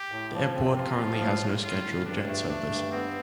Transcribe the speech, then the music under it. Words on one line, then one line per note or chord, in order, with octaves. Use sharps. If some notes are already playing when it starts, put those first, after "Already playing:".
The airport currently has no scheduled jet service.
Already playing: G4
A2
F3
C4
F3 F4
F3
A2
A2
A2 F4
A2
G2 D4
A3
A3 D4
G2
B3 C4